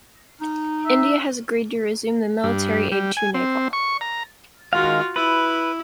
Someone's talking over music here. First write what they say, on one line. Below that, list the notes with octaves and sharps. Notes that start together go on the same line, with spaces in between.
India has agreed to resume the military aid to Nepal.
D#4
E5
G2
G3
G#5
C4
C#6
A#5
D#3 G#3 F4 F#4 F5
E4 B4